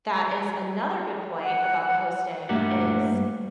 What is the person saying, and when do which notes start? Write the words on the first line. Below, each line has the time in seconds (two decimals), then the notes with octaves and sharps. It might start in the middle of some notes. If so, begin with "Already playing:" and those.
that is another good point about hosting, is
1.44 F#5
2.49 G2 G3 A3 A#3 G4 F#5